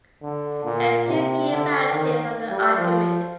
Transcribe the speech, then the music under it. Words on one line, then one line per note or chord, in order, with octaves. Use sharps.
There are two key varieties of the argument.
D3
A#2
C3
D3
D#3
G3
F3